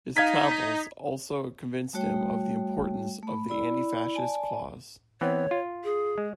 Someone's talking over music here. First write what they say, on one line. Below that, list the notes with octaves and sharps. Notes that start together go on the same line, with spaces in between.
His travels also convinced him of the importance of the anti-fascist cause.
D#4 F5 G#6 B6
B6
G3 A3 F#4 C#5 G5
A3 B5
E4 D5 B5
D5 G#5 A5
E3 B3 C4 C#5
F4
G#4
G#3